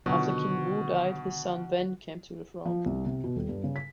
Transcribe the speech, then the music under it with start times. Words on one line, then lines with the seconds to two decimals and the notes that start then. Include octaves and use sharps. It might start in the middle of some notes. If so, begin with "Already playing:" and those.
After King Wu died and his son, Wen, came to the throne.
0.06 B2 D3 D#3 F#3 F#4
2.65 F3
2.86 C2
3.06 C3
3.24 B2
3.36 D#1
3.49 G2
3.64 C#3
3.76 B6